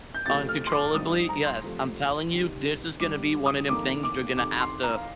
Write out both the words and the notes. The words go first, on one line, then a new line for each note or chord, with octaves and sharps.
uncontrollably yes, I'm telling you, this is gonna be one of 'em things you're gonna have to
G6
F2 C3 F3 A3 A6
F6
C6
D6
G2 F3 C4 D#4 D#6
A#5
C6
C3 F3 A3
C3 D#3 G3
G2 D3 G3 D6
D#6
F2 D#3 A#3 D6
D6
F2 C3 D#3 D6
C6
A#5
F5